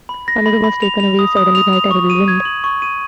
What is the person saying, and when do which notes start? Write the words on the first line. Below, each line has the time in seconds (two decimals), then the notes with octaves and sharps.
Another was taken away suddenly by a terrible wind.
0.09 B5
0.28 A#6
0.46 B5
0.64 B5
0.82 F7
1.00 F7
1.19 D#6
1.37 D#6
1.55 F7
1.73 F7
1.91 C#6
2.10 D#7
2.28 G#6
2.45 F#7
2.64 C#6
2.82 D#7